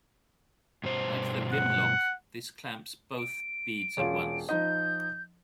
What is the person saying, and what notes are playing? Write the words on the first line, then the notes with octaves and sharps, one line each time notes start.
Like the rim lock, this clamps both beads at once.
G2 B2 C5
F#5
D7
E1 C#4 F4
F3 D#4 D#5 G6